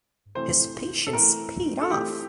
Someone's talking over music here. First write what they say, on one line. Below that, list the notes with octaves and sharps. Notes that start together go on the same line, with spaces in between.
His patience paid off.
C3 E3 A3 C5
A4
E3 A3 C4 A#4
A4
E3 A3 C4 G4